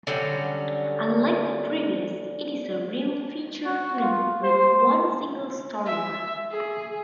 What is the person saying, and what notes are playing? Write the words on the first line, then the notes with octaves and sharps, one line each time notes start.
Unlike the previous, it is a real feature film with one single storyline.
D3 F#3 G3 C#4
F#4
F4
C5
E5
G#4